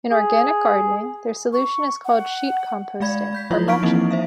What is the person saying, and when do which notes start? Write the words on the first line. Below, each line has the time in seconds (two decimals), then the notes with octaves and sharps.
In organic gardening, their solution is called sheet composting or mulching.
0.11 G#4
1.53 C#6
2.05 F#5
3.00 G#3 D5 F5 B5 G#6
3.33 B5 G6 B6
3.51 F3 F#3 E4 F4 C#5
3.67 D#4 C#6 F6 B6 D7
3.82 E3 F3 A#3 C4 D#4 E4
4.11 C5 E5 F5